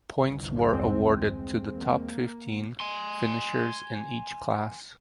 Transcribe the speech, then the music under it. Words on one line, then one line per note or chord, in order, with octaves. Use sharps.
Points were awarded to the top fifteen finishers in each class.
G1 C2 G2
E2 G#3 C4
A#3
G#5 C6